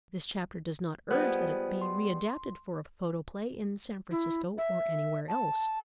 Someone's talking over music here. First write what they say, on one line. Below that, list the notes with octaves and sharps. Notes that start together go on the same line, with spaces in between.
This chapter does not urge that it be readapted for a photoplay in San Francisco or anywhere else.
G3 G#3 B3 F4 C5 F#6
C6
E4
E5
A5